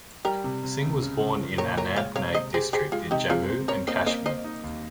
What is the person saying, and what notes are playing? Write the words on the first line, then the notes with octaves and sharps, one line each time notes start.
Singh was born in Anantnag district in Jammu and Kashmir.
G3 G4 A#4
C3
C3
C#2
C#3
C#2
F3
A#2 A#4 C#5
A#2 A#4 C#5
G#3 C#5 F5
C3 C#5 F5
C3 C5 D#5
G4 G#4 C5
G4 G#4 C5
G#3 F4 G#4
C3 D#4 G4
C4 F4 G#4
C4
C#4 A#4 C#5
A#3 C5 D#5
A#3 C5 D#5
A#3 C5 D#5
D#4
D#2